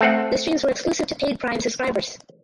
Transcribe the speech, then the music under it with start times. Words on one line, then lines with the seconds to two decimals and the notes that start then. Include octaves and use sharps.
The streams were exclusive to paid Prime subscribers.
0.01 A3 C4 F#5